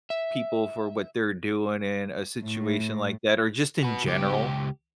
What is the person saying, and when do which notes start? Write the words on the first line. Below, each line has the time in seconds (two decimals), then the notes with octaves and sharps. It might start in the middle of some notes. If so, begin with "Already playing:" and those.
people for what they're doing in a situation like that, or just in general.
0.10 E5
2.42 A2
3.83 F#4 B4
4.04 C#2 G4